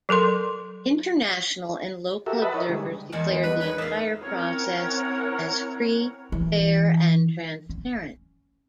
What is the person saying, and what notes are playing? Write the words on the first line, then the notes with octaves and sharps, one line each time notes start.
International and local observers declared the entire process as free, fair, and transparent.
F#3 A4 A#4 C6
F#4 G4 A4 A#4 E5
B4 D#5 E5 F#5 A5 B5
E4 A#4 C#5 D#5
D3 G3 G#3
E2 G#3 A#4 D5 D#5 F#5 A5
D#3 E3 B3
G3 B3 D4 B4
D#4 B4 C#5
G#3 D#4 A#4 D5 E5 F5 A#6
C4 C#4 E4 A#4 C#5 F#5
E3
C#4